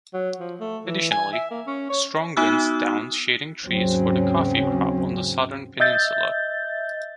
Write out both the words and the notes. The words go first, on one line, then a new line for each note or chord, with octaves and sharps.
Additionally, strong winds downed shading trees for the coffee crop on the southern peninsula.
F#3
F3
A3
E3
G#5
E5
A#3
C#4
C#5
B3 D#4 F#4 D#6 E6 F#6
D#2 G#2 C#3 F#3 C4 C#4
D#5 E5 G6 A6